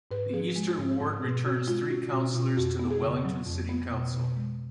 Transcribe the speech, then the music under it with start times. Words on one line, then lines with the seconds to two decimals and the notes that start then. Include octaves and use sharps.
The Eastern ward returns three councillors to the Wellington City Council.
0.11 G#2 B4
0.33 F3 G#4
0.56 G#3
0.78 G#2
1.01 G#2
1.22 B2 G#4
1.45 B2 F#4
1.67 G#3 F4
1.90 C#4 F#4
2.12 B2 F#4
2.34 B2 F4
2.57 F2 F#4
2.79 B3
2.91 G#4
3.01 C#3
3.25 F#3
3.46 F2
3.69 B3
3.91 B2
4.14 B2
4.36 G#3